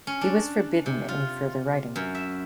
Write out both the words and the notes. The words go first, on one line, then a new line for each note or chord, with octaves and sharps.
He was forbidden any further writing.
C#4
D4
C3
F4
F#2
E5